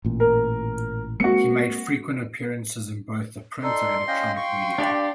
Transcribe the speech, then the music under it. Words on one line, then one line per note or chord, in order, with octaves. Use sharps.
He made frequent appearances in both the print and electronic media.
A1 A#2
A#4
G#3 A#3 C4 F#4 C#7
D#4 A4 D5 C6
C#4 D#5 F5 G5
G5 C6 C#6
D4 G4 D5